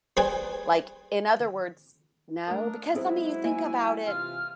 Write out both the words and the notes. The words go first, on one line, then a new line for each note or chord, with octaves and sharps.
like, in other words No? 'cause, I mean, you think about it,
G3 G#4 B4 C5 G5 G#5
A3 D4 A#4 D#6
F#3 G#3 C4 E4 G#4 C5
A#3 D#5 G#5
C3 E3 F4 F6